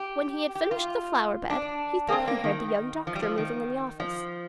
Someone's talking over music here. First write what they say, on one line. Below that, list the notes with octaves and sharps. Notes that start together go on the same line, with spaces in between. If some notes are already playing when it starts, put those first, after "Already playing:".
When he had finished the flower bed he thought he heard the young doctor moving in the office.
Already playing: G4
G4
F4
D4
A#3
C4
A#3
D#3
F3
G3
F3
D#3
F3